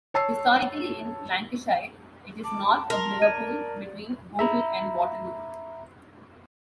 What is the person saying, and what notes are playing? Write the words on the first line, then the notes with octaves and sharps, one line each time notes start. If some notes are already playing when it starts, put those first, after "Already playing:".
Historically in Lancashire, it is north of Liverpool, between Bootle and Waterloo.
C#5 A5 E6 C7
A5 D6
A#4 C6
D5 G#6 D#7
E5 A#5 B5